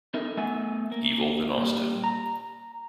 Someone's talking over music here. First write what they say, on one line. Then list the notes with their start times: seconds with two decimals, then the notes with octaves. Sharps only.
Evil than Austin.
0.14 B3 D#4 A4 A#4 E5
0.38 A3 B3 E5 F#5 G#5
0.92 A#3
1.58 A#2 G3
2.04 A#5